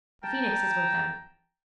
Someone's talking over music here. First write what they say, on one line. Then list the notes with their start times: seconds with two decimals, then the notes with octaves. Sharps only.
The Phoenix is with them.'
0.23 G5 A5 A#5